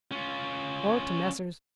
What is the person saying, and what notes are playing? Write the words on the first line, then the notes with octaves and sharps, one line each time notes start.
Or to Messrs.
C#4 F4